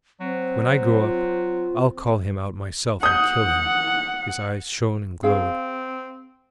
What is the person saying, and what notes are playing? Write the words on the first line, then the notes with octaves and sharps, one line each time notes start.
When I grow up I'll call him out myself and kill him.' His eyes shone and glowed.
F#3 C4
F4
F#5 D#6 G6
C4 G#4 F5